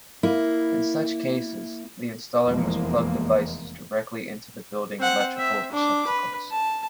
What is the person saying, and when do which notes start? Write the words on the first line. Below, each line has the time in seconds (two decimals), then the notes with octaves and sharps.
In such cases, the installer must plug devices directly into building electrical receptacles.
0.23 A#3 E4
2.45 F1 E2 E3 F3 G#3 A#3
4.99 C4 F#5
5.36 C4 E5
5.71 D4 D6
6.07 B4
6.51 A5